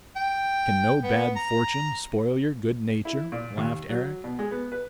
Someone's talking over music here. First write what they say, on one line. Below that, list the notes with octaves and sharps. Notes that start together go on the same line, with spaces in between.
"Can no bad fortune spoil your good nature?" laughed Eric.
G5
B3
A#5
E4
A#2
D#2
F#3
B2
G#3
B3
B4